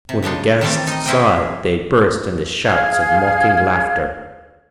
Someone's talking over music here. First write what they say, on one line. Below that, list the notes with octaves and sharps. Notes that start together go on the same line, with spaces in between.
When the guests saw it, they burst into shouts of mocking laughter.
C3
C#3 G#3 D4 D#4
D#3 E3 G3 A3 C4 D5
D#4 D#5
C4 C#4 E4 G#4 D#5 G5
G#4 F5 F6 G#6